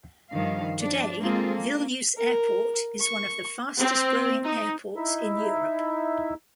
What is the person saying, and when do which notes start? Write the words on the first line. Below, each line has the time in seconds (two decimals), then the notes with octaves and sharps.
Today, Vilnius Airport is one of the fastest-growing airports in Europe.
0.32 G2 D#3 F3 F5
0.80 F3 D4
1.21 G#3 A#3 C4 F4 G#4 A4
1.53 A#3
2.17 A#4
3.01 C#6
3.79 C4
4.44 D#4
4.96 D#4 E4 E5